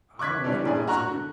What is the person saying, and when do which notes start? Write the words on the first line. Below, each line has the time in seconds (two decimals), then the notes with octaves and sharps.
I don't like the looks of it.
0.19 C#6 D6 F#6 G#6 B6
0.44 D3 E3 G3 C#4 D4
0.65 D#1 G2 G#4 D5
0.87 F#4 A#5 C#6 F#6
1.11 D3